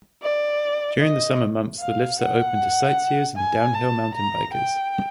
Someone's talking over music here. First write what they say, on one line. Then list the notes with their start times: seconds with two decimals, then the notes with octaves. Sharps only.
During the summer months the lifts are open to sightseers and downhill mountain bikers.
0.22 D5
1.01 D#5
1.80 F5
2.19 F#5
3.36 G#5
3.74 A5
4.14 A#5
4.54 G5